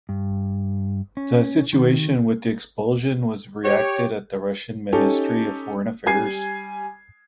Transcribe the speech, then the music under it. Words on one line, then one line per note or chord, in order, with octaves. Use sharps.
The situation with the expulsion was reacted at the Russian Ministry of Foreign Affairs.
G2
C#4
D#3
G4 C#5
C#4 D#4 G4 A4
G3 G#5 G#6 C7